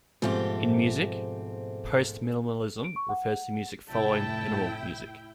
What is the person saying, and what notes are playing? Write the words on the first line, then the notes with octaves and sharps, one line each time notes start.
In music, "postminimalism" refers to music following minimal music.
G#2 B2 F3 A3 C4 G4
D7
C#6
F#5
F1 A2 E4 G5 A5